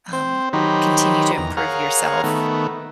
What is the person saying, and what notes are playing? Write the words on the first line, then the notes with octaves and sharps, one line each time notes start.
um, continue to improve yourself.
C4 C5
D#3 F#3 D#4 G4 C5 B5
E2 A#5
G#4 A#4 C#5 F5 F#5 A#5
D#3 A3 B3